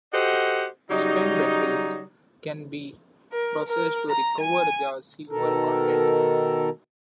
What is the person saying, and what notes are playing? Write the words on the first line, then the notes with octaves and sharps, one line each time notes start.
Spent batteries can be processed to recover their silver content.
F#4 G4 A4 C5 D#5 F#5
C#3 F#3 G3 D#4
A#4
A#4
A#5
G#5
B2 D#3 A4 A#4